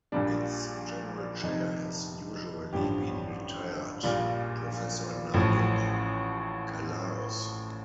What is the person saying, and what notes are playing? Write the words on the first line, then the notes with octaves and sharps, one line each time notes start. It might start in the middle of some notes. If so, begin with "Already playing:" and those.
Its General Chair has usually been retired Professor Nagib Callaos.
A#1 A#2 G3 D4
F1 F2 C3 D#4
A1 G2 D3 F3 G4
A#1 A#2 G3 F4
A1 A2 F3